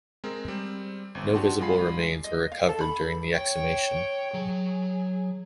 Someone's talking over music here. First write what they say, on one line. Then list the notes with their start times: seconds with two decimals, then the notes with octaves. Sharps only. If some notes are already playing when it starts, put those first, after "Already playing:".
No visible remains were recovered during the exhumation.
0.24 G#3 C4 A#4
0.48 G3 C4
1.15 G1 C4
1.34 D4 F#4 G4 F#5 A5 C6
1.59 G3 G#3 F4 G#5 B5 C7
2.24 D#5
2.52 F5
2.69 A4
2.81 B5
3.34 C#5 G5
4.34 F#3 G#4